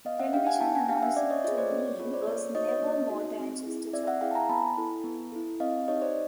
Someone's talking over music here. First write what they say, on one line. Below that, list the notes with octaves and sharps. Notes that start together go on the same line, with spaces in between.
Television announcing to me was never more than just a job.
B3 D#5 F5
E5 F#5
D4 G4 F5 G5
F#5 G#5
B3 G5 A5
F#5 G#5
D4 G4 F5 G5
E5 F#5
C#4 D5 E5
C#5 D#5
F4 G#4 C#5 D#5
C5 D5
C#4
C#5
F4 G#4 C#5
C5 D5
A#3 C#5
D#4 F#4 C#5 D#5
C#5 D#5
A#3
D#4 F#4
C4
E4 G#4
C4 D5 E5
E5 F#5
E4 G#4 F5 G5
A5
G#5 A#5
B3 A5 B5
E4 A4
B3
E4 A4
C4 D#5 F5
D#4 G4 C#5 D#5
C5 D5